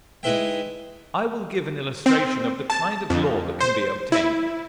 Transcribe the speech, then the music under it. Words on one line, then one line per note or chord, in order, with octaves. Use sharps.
I will give an illustration of the kind of law that can be obtained.
G#3 D#4 E4 B4 E5 G5
C4
A5
F2
C5
E4